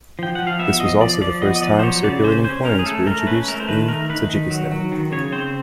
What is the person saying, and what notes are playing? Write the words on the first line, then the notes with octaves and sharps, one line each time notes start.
This was also the first time circulating coins were introduced in Tajikistan.
F3 G5
F3 F#5
F5
B3 E5
F3 D#5
F3 D5
F3 D5
B3 D#5
D#5
F3 D5
C5
F#3 C#5
C#3 D5
C#4 C5
C#4 C5
C#4 A#4
G#4
A3 A4
A3 A#4
C#4 B4
A3 A#4
C5
D#3 B4
A3 A#4
D#3 B4
D#3
F#3
F#3
D#3
C#3 C#5
C4 C5